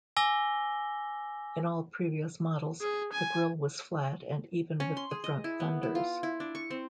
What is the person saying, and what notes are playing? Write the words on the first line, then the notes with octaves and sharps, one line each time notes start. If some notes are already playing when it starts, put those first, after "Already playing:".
In all previous models, the grille was flat and even with the front fenders.
G#5 D6 E6 A#6 G7
G#4
G#5
C#4
C6
G#4
D#5
E4
B3
E4
F4
E4
D4
C#6
C4